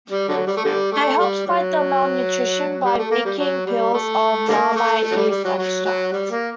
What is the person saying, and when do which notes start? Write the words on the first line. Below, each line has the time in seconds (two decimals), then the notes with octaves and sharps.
They helped fight the malnutrition by making pills of Marmite yeast extract.
0.10 G3
0.29 D3 F#3
0.47 G3
0.57 A3
0.65 D3 G3
0.92 A3
1.19 G3
1.47 F#3
2.84 G3
2.98 A3
3.11 A#3
3.25 G3
3.38 F#3
3.66 G3
3.94 A3
4.49 D3 G3 A#3
4.76 A3
5.03 A3
5.11 F#3
5.16 G3
5.30 G3
5.45 F#3
5.58 F#3
5.85 F#3
6.13 G3
6.30 A#3